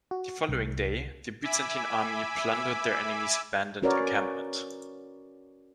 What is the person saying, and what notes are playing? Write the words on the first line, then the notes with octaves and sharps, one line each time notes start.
The following day the Byzantine army plundered their enemy's abandoned encampment.
F#4
C2
E5 G#5 B5 D6 E6
C#4 F#4 A#4 B4 C#5 D5